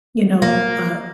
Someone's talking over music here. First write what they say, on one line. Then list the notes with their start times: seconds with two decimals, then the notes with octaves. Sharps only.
You know, uh,
0.42 A#3